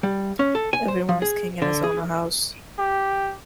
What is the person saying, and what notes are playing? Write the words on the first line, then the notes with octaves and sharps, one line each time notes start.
Every one is king in his own house.
G3
C#4
A4
G#5
C5
F3
G#4
D3
G#4
G4